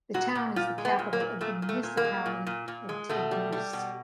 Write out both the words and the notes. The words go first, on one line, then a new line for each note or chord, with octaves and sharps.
The town is the capital of the municipality of Teguise.
A#2 F#4
A#2
A#2 F4
G#3
B3
A#2
A#3
A#2
A#2 A3
A#2
A3
A#2
A#3
G#3
A#2
A#2
A#2
G#3
B2 A3
G3
G3
B2